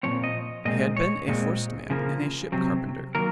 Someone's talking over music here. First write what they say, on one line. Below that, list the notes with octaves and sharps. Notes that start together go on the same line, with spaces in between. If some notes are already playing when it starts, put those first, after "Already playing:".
He had been a forced man, and a ship carpenter.
A#2 F3 C4 C#5
D#5
A#2 G#3 C4 D#5
C#5
A#2 G#3 C4
C#3 F3 A#3
C3 F#3 C4
D#3 F#3 A#3 A#4